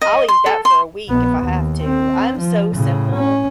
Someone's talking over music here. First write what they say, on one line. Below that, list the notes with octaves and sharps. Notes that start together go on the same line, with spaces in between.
I'll eat that for a week if I have to. I'm so simple,
D#5
C6
A4
C6
A#1 B3
D#2
C4
F3
A2 C#3
C#4